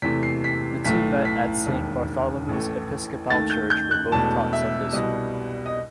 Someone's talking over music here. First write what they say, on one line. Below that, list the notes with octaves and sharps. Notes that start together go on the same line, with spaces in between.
The two met at Saint Bartholomew's Episcopal Church where both taught Sunday School.
E2 C3 E3 A3 B6
C7
B6
B1 A2 E3 A3 B6
B6
E1 D#2 D#3
A1 A2 E3 A3
D#2 D#3 A3 A6
G6
G6
F#6
E1 E2 B2 A3 A5
E5
C2 B2 G3 D#5
D#5